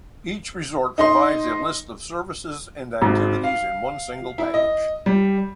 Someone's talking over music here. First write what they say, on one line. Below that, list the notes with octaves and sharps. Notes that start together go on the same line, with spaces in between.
Each resort provides a list of services and activities in one single package.
D#4 D#5 C6
G#1
F5
E4
D#5
G3